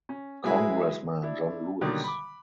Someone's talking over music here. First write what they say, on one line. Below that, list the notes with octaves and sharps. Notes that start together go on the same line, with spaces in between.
Congressman John Lewis.
C#4
F#3 G#3 E4 G#4 B4 E5
D4 E4
B2 D3 D#3 F#3 G3 A#3
B5 D6